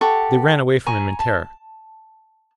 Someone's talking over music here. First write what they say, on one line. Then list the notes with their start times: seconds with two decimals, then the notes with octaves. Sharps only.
They ran away from him in terror.
0.01 G4 A4 F#5 C#6
0.86 G#5 A#5 C#6
1.19 A5